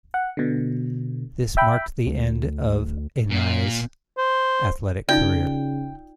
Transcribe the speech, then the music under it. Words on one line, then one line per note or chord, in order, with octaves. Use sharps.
This marked the end of a Nia's athletic career.
F#5
B2 D3
E5 G5 B5
D2
A#2
C5
C#3 D#4 F4 D5 G5